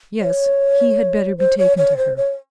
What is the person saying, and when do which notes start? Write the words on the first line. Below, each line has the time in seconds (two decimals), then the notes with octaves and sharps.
Yes; he had better be taken to her.
0.20 C#5
1.38 C5
1.58 C#5
1.78 C#5
1.97 C5
2.17 C#5